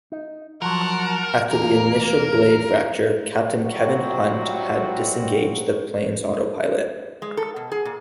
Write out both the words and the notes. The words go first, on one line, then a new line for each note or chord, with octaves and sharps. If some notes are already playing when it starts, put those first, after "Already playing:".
After the initial blade fracture, Captain Kevin Hunt had disengaged the plane's autopilot.
D#4
F3 F#3 A#4 F#5 A5
E2 A#3 A#4
A2 F#3 G3 C4 F4 F#4
G#3
A4
B2
G#4
A#2